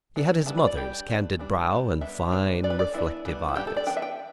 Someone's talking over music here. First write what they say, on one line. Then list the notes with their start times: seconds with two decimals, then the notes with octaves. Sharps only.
He had his mother's candid brow and fine, reflective eyes.
0.16 E3 B3 D4
0.46 E3 G3 B3 A5
0.58 B5
0.67 D5
0.77 G3 D4 G4
1.08 E3 A3 D4
1.39 E3 G3 D4
1.70 E3 G3 D4
2.01 G3 B3 D4 E5
2.32 G3 B3 D4
2.63 E3 A3 D4 D5
2.70 B4
2.79 D5
2.94 E3 B3 D4 E4
3.25 E3 G3 B3 D4
3.49 E4
3.56 E3 G3 B3 D4 G4
3.67 A4
3.77 D5
3.86 E3 B3 D4 G5
3.97 E5
4.02 G5